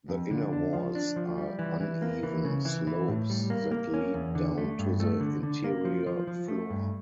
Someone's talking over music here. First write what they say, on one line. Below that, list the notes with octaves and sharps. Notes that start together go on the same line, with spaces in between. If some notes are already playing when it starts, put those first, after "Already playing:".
The inner walls are uneven slopes that lead down to the interior floor.
F2
D3
D4
F3
D4
F3
G3
E3
E3
A#3
E3
C#3
E3
E3
A2
G3
A#3
A#3
C#4
E2
D3
A3
G2
A3
D3
D3
A#3
F3
F3
F3
A3
G2